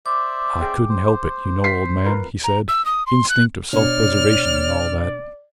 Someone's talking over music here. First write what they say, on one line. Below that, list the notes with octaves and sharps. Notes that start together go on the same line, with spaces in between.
"I couldn't help it, you know, old man," he said; "instinct of self-preservation and all that."
C5 D5 E5 D6
G#4 G5
C5
B6 C7
F4 A#4 B4
A#5
E6
D#6
C6
F#6
B2 D4 C#5 D5 F6